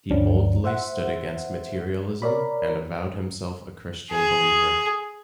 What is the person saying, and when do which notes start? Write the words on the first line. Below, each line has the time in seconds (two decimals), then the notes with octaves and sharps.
He boldly stood against materialism and avowed himself a Christian believer.
0.10 D2 G2 F3 C#4 D4
0.64 C5 E5 F#5
2.22 A#4 C#5 D5 B5
4.10 G#4